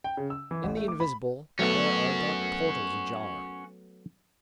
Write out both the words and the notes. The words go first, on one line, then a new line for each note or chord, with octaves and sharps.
In the invisible there are dark portals ajar.
G5
C#3
E6
E3
A1
A3
D6
B5
F#3 A3 B3 C#4 F#4